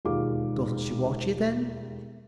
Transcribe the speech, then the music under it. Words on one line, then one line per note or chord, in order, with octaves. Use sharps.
"Doesn't she watch you, then?"
E1 D#2 F4 G#4 F5 D6